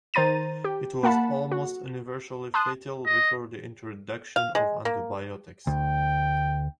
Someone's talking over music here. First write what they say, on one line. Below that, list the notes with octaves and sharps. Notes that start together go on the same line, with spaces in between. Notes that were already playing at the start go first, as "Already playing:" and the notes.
It was almost universally fatal before the introduction of antibiotics.
D#3 C5 A#5 A6 D#7
G4
A#3 F#5 A5 B5
F#4
A5 C6 D#6 F#6
D#5
F5
G#3
A#3
D2 G5